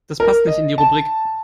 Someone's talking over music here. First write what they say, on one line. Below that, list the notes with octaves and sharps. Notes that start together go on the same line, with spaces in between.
Das passt nicht in die Rubrik.
A#4
D#5
A5